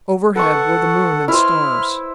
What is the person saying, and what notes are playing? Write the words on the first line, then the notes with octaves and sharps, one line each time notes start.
Overhead were the moon and stars.
A4 B4 F#5 C#6
E4 B4 C5 F6